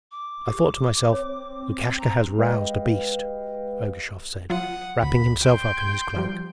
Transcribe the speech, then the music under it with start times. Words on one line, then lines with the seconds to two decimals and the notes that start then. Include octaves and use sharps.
I thought to myself: "Lukashka has roused a beast,"' Ergushov said, wrapping himself up in his cloak.
0.11 D6
0.47 G4
1.13 C4 C#5
1.99 A#5
2.38 G#3 G4 B4 D#5 F5 G5
4.50 F#3 F4 F#5 D#6
5.02 D2 B5
5.41 G5 C6 G6
5.77 G#6
6.16 F3 G3